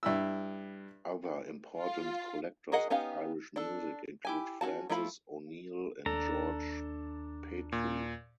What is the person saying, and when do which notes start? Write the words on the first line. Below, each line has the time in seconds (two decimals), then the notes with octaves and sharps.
Other important collectors of Irish music include Francis O'Neill and George Petrie.
0.03 G2 E4 E6
1.78 F4
2.72 F#4 G#4 A#4 D#5 F#5
2.90 B3 C#4 D#4 G4 F5
3.56 D4 A4
4.25 E4 G4 G#5
4.61 C#4 D#4 F#4 A5
4.90 F3 A3 E4 F4 B5
6.06 D#2 D4 A4 A#5
7.72 A#2